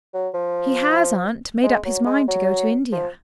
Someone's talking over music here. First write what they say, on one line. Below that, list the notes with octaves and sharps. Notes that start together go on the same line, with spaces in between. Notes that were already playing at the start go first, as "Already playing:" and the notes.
"He has, aunt, made up his mind to go to India."
F#3
F3
G#3
F#3
G#3
F#3
F3